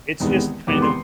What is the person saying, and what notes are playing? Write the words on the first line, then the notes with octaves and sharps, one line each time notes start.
it's just kind of
E2 C3 D#3 G#3 B3
E2 C3 D#3 G#3 B3 D6
C6